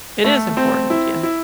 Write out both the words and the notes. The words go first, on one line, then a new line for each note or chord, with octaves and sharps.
It is important. Yeah.
A3
C4
E4
E4